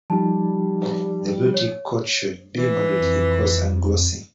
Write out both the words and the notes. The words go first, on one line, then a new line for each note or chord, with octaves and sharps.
The Bluetick coat should be moderately coarse and glossy.
F3 G3 D#4 A5
C#5
E3
F2